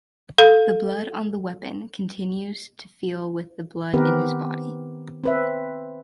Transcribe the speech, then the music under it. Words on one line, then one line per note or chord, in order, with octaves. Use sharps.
The blood on the weapon continues to feel with the blood in his body.
A4 F5
D#3 B3 C4 G4 A#4 B4
C4 B4 E5